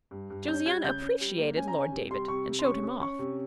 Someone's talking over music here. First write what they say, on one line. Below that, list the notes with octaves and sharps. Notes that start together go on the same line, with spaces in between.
Josiana appreciated Lord David, and showed him off.
G2
G2
C#4 G6
G3 G#6
C#3 G6
C#4
G3
A#3
C#4 G#5
A#5
C#4 G#5
C3
G3 C6
C3 C#6
C3
C6
C#4 C#6
C#4
C#4 C#6
C3